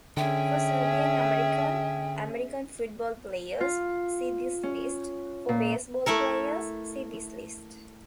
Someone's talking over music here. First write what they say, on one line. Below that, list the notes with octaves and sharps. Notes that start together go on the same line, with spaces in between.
For Serbian-American American football players, see this list; for baseball players, see this list.
D3 C#4 G#4 E5 G5
F4
C#4
A#2
A3 E4 A4 A#4